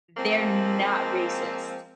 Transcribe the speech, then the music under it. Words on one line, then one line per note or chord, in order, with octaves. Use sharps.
they're not racist.
F3 G#3 A#3 C4